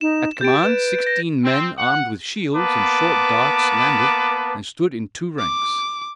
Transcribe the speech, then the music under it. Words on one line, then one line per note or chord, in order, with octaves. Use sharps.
At command sixteen men armed with shields and short darts landed and stood in two ranks.
D#4 E7
G4 G6 A6 D7
B4 E7
A#6
C4
F#5
A#3 B3 B4 A5 D6
D6